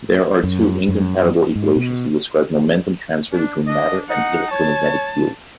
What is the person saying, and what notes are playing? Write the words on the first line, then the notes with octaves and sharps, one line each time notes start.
There are two incompatible equations to describe momentum transfer between matter and electromagnetic fields.
F#2
F#2
G#2
B2
D4
D4 D#5
D#4 F#5
C#5 A5